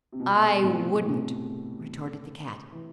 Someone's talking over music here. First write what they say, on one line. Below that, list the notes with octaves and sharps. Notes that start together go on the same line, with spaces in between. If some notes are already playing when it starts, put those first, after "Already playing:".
"I wouldn't!" retorted the cat.
C3
B2
A2 C3
A2 C3
E3